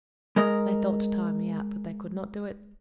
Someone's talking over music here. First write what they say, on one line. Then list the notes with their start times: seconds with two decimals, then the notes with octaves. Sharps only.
They thought to tire me out, but they could not do it.
0.36 G#3 A#4 D#5